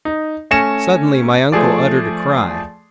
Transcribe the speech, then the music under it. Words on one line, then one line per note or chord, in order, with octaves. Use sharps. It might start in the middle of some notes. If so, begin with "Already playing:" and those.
Suddenly my uncle uttered a cry.
D#4
A3 C#4 G#5 A#6 C#7 E7
F3 A3 G#4 D5